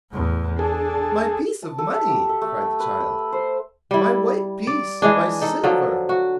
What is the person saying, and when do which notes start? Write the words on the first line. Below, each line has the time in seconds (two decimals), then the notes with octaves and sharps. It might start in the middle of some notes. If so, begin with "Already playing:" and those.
"My piece of money!" cried the child, "my white piece! my silver!"
0.11 E2 A2
0.59 D4 G#4 A4
1.62 A5
1.78 A4
1.95 E5
2.07 G4
2.29 A4
2.42 A3
2.62 G5
2.80 B4
3.00 E6
3.32 C5
3.91 G3 E4
4.67 D5
5.02 E3 G#3 D4
5.41 D#4 A4
5.64 D3 F3 F#3 A4
6.09 F#4